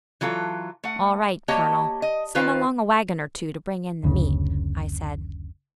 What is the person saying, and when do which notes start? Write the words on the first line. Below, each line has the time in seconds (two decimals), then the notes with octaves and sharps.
"All right, Colonel; send along a wagon or two to bring in the meat," I said.
0.21 E3 F#3 F4 A4
0.84 A3 F#5
1.48 A#3 F#4 G4 C#5 D#5 A5
2.02 D#5
2.35 D#3 F4 B4 C5 F5
4.04 F#1 D2 C#3